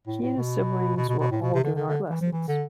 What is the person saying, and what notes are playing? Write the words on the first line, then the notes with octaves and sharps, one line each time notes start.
He and his siblings were all given art lessons.
A2
A2
B2
B2
B2
B2
A2
B2
C3
D3
D3
D3
E3
F3
E3
D3